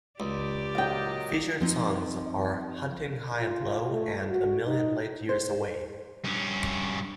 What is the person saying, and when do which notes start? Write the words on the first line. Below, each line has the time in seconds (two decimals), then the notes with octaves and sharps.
Featured songs are "Hunting High And Low" and "A Million Light Years Away".
0.20 C#2 G4 D5
0.75 A#2 F#3 D#5 F5 G5
1.60 F3 C4 D#4
3.39 F4
3.92 A3
4.30 F#4
4.65 D#4
5.29 C5
6.25 G2 C#4